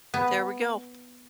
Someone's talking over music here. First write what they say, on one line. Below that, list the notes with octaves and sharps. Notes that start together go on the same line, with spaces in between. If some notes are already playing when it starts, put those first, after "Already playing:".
There we go.
B3